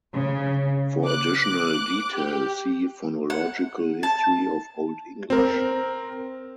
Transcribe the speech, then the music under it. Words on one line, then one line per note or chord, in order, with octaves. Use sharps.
For additional detail, see Phonological history of Old English.
C#3
D6 F#6
G4
F#5
A5
C4 A#4